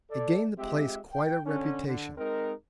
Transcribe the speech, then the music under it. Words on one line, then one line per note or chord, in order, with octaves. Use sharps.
It gained the place quite a reputation.
A4 D5
G#3 C4 F4 G4 E5
G5
D3 C#4
D3
G#3 C4 D#4 A#4